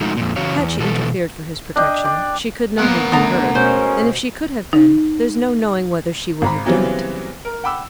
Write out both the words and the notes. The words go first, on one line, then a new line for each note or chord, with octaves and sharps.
Had she interfered for his protection, she could not have been heard; and if she could have been, there's no knowing whether she would have done it.
F3 G#3 A3 D#4 F#4
F2 A#2
C#3 E3 F#4 C#5 F5
E2
B2 E3 A4
D4 D#5 G5
D5 G5
A#3 B3 A#4 F#5
D3 A3 B3 A#5
B2 G#3 C#4 C5
D#4
G#1 A#5 B5
C#3 E3 F#3 G3 B3 C4
A#4
F#5 G5 B5 D6 E6